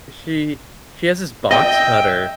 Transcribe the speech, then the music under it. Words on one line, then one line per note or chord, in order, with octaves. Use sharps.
she she has this box cutter
D#5 E5 G5